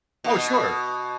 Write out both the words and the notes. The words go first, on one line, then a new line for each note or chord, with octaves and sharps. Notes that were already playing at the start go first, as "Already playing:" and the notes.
Oh, sure.
B2